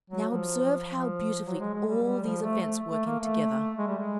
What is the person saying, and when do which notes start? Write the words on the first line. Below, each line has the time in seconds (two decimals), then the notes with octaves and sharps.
Now, observe how beautifully all these events work in together!
0.10 F#3
0.30 F3
0.88 F3
1.46 F#3
1.60 G#3
1.74 G#3
1.89 G3
2.03 G3
2.23 F3
2.43 A3
2.62 A3
2.91 A3
3.06 A#3
3.20 A3
3.78 G#3
3.88 G3
3.98 G#3